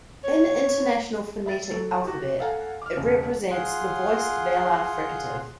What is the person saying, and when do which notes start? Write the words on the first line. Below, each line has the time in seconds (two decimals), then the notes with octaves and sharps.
In International Phonetic Alphabet, it represents the voiced velar fricative.
0.24 C#5
1.46 E5 B5 A6
1.71 F#3 A4
2.04 F#4 G4
2.40 A4 F5 F#5 G#5 A#5
2.82 D6 F6
2.97 E1 C#3
3.50 F4 G#4 F#5 C6